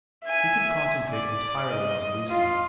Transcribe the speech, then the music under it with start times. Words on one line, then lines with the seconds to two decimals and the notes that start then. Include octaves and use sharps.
He could concentrate entirely on Lucy.
0.25 E5 G#5
1.12 D5
1.70 D#5
2.29 F4